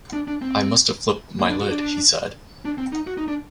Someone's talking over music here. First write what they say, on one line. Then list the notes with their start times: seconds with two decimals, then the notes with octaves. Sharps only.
"I must have flipped my lid," he said.
0.13 D4
0.28 D4
0.42 C4
1.39 A#3
1.49 D4
1.61 F#4
1.70 D4
2.65 D4
2.78 C4
2.93 D#4
3.07 F#4
3.17 D#4
3.28 D4